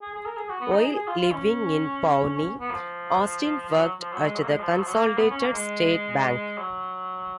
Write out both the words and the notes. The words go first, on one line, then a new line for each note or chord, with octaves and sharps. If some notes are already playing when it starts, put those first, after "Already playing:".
While living in Pawnee, Austin worked at the Consolidated State Bank.
G#4
G#4
A#4
G#4
F#4
B3
D#4
G#4
G#4
F4
F4
C#4
C#4
B3
F3
F3
F#3
F3
F#3
G#3
F#3
A#3
G#3
F3
F#3
F3
F#3
A#3
B3
C#4
A#3
G#3
F#3